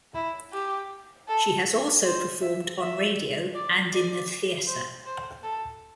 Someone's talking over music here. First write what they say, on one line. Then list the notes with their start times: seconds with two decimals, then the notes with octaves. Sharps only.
She has also performed on radio and in the theatre.
0.14 E4
0.53 G4
1.28 A4
2.04 C5
2.41 E5
2.80 E5
3.55 D5
3.93 D5
4.67 C5
5.06 C5
5.43 A4